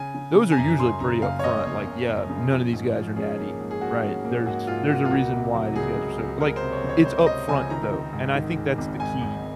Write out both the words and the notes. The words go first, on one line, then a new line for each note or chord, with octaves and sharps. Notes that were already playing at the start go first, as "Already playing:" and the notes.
Those are usually pretty upfront, like, yeah, none of these guys are natty, right, there's there's a reason why these guys are sort of like, it's upfront, though, and I think that's the key
Already playing: C#3 G#5
C#3
C#3
G#5
F#2 A#5
C#3 C6
C#3 A#5
F#1 F5
C#5
F#1 D#5
F#1 C#5
F#1
F#1
C#3
F3
G#2
F3
C#4 G#4
A#3
G#2
G#4
A#3 F#4
C#4
A#3
G#2 F#4
G#2 F4
A#3 F#4
F4
C#2 F#4
C3
F#3
C#2 G#4
C#2
C#2
C#2 A#4
C5
C3
C#5
C#2
C#5
C#2 C5
C3 D#5
C#2 G#5
D#3 A#5
D#3
G#2
D#3
G#2
G#1
G#2 G#5
G#1